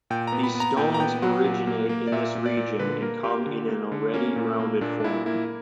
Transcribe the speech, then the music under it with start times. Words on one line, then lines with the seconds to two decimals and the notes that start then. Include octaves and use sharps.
These stones originate in this region and come in an already rounded form.
0.10 A#2 G5
0.27 B3 A#5
0.43 B5
0.55 B3
0.60 A#5
0.77 A#2 G5
0.94 A#5
1.00 B3 G5
1.22 F#3 F#5
1.44 A#2
1.67 A#3
1.89 A#3
2.07 D5
2.12 A#2 E5
2.35 A#2
2.46 D5
2.57 A#2
2.79 D3 B4
3.02 A#3 A#4
3.24 A#3 G4
3.46 D3
3.69 A#3
3.92 D3
4.14 A#3 C#4
4.36 A#2
4.60 A#3
4.81 A#2 D4
5.00 D4
5.04 A#2 E4
5.26 A#3 E4